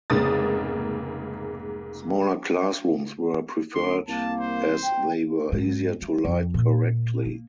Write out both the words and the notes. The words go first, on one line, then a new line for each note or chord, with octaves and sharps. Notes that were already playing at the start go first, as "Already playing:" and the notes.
Smaller classrooms were preferred as they were easier to light correctly.
F1 G#2 C#3 A#3 D#6 A6
D2 C6
C2 A#3 A5
C5
G5
G#2
F#3
F2
A#2
A#3